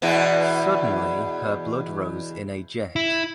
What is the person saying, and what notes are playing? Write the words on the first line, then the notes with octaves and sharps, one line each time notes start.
Suddenly her blood rose in a jet.
E2 B2 E4
E4